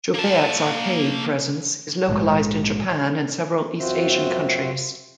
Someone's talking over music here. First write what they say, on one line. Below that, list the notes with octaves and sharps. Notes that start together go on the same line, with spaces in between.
Jubeat's arcade presence is localized in Japan and several East Asian countries.
A#3 A5
A#1 G#2 D#3 G#3
F#2 C4 F4 F#4 C5 E5